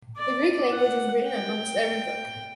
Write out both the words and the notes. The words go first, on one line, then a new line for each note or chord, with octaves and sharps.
The Greek language is written on almost every book.
D5
F#5
G5